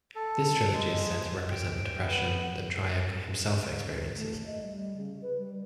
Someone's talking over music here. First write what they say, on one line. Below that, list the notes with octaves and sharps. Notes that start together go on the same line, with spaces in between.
This trilogy is said to represent the depression that Trier himself experiences.
A4
G#3
G5
B3
C#3
D#3
A3
D#5
G3
C#3
B4
G3